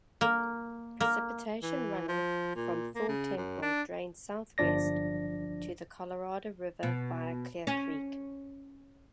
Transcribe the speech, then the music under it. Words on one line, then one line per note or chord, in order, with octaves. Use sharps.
Precipitation runoff from Thor Temple drains southwest to the Colorado River via Clear Creek.
A#3
A#3
E3
F3
A#2
A#3
C#3
F#2
D4
G1 F3 D4 D5 A#6
B2
C#4